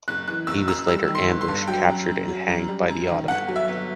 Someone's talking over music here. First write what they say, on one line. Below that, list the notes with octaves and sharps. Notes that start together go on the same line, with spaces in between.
He was later ambushed, captured and hanged by the Ottoman.
F#1 F#6
E3 F#6
F#1 E6
F#2 E6
G3 E6
D#3
C6
G1
C6
G2
F#3 G5
F#2
F#2
F#3
F#2
G3
F#2
D#3
G1 F#5
F#3
E5
G1